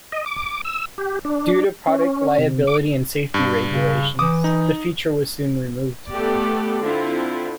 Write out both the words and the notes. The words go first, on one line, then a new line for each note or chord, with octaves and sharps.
Due to product liability and safety regulations, the feature was soon removed.
D#5
D6
E6
G4
D4
C#4
C3
D6
G2
C#3
E3 D6 D#6
D#4
A3 B3 G4 A4 D5
D3 C4 E4 F4